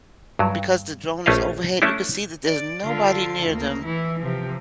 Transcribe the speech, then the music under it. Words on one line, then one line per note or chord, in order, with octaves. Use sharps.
because the drone is overhead, you could see that there's nobody near them
G2 F#3
A#1 A3 C#4 B4 D#5 F5
A3 C#4 D4 E4
D5
D3 F4
D2 A#3
E3 E4
C3 F3